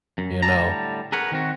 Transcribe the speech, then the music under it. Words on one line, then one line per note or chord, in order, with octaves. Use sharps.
you know
F#2
A2 D3 G3 A5 A#5
G#4 A#4 B4 C#5 F#5
D#3 C4 F#4